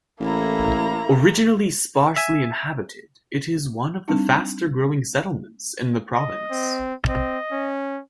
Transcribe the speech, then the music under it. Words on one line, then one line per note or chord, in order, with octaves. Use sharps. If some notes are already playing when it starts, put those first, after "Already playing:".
Originally sparsely inhabited, it is one of the faster-growing settlements in the province.
A1 A#3 E4 A4 A#5
E5 G#5
G3 C4 D4 D#4
D#5
C4
C4 D#5
C#4